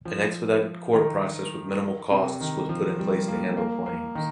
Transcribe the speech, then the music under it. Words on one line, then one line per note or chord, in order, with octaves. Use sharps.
An expedited court process with minimal costs was put in place to handle claims.
F3
D#3
C3
D#3
F3
G3
A#3
A#3
A#3
D#3